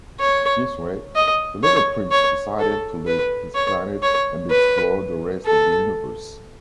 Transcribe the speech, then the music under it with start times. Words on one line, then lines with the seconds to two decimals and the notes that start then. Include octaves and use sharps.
This way, the Little Prince decided to leave his planet and explore the rest of the universe.
0.20 C#5
1.16 D#5
1.64 C#5
2.11 C#5
2.59 A4
3.07 B4
3.55 C#5
4.03 C#5
4.50 B4
5.46 A4